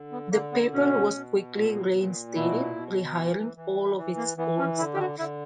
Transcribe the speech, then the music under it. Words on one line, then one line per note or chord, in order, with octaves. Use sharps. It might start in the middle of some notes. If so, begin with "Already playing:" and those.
The paper was quickly reinstated, rehiring all of its old staff.
Already playing: D3
B3
D3 A#3
B3
B2 C#4
B2
A#2
A#2
B2 E4
B2
E3
E3
E3
A#3
E3 B3
C#4
D3 E4
G4
F#4
D3 E4